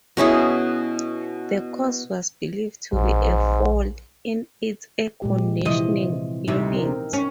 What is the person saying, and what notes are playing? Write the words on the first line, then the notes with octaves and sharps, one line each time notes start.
The cause was believed to be a fault in its air conditioning unit.
B2 C#4 E4 G#4
A#1 G#2
A#2 G#3 G4
C3 E3 F3 D#5
D2 C3 D#4
C4 A#4
C#4